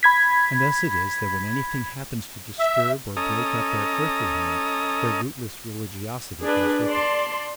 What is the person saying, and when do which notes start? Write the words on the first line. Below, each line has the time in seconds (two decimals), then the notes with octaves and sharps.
And thus it is that when anything happens to disturb or break up their earthly home their rootless religiosity goes with it.
0.03 B5 G#6 B6
2.59 E5
3.17 C#4 A4 D#5 A#5 D#6
6.43 D4 G#4 B4
6.89 D5 A5 C6